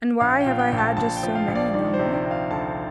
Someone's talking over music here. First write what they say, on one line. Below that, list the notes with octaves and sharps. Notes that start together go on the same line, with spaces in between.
And why have I had just so many and no more?
A#1 F5
G5
A#2 F5
G5
A#1
A5
A#1 A5
G5
F3
F5
A#1
D5
D#3 D5
C5
C3
D5
C3
F5
D2 A5